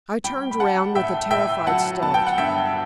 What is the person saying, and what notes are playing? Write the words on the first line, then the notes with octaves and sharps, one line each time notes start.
I turned round with a terrified start.
G3 G5 B5
B5
C#4 F#5 A5
A2 E5 G5
A2 E5 G5
F#3 F#5 A5
B3 A5
G5
F#5
G2 E5 G5